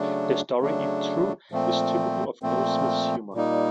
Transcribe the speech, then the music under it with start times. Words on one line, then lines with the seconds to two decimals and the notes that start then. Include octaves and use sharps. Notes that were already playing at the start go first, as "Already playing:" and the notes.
The story, if true, is typical of Goldsmith's humour.
Already playing: C#3 F#3 A3 D4
0.59 C#3 F#3 A3 D4
1.51 A#2 F3 A3 C4
2.42 A#2 F3 A3 C4
3.34 A#2 G3 A#3 D#4